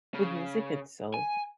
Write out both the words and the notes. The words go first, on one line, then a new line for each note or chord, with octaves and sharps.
with music itself,
C#3
G#5